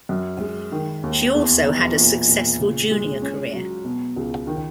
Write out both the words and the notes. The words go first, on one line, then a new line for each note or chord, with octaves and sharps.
She also had a successful junior career.
F#2
G#3
D#3
D#2
E2
E1
A#2
A#2
C#3
G#3
C#4
F#3
B2
C#2
D#3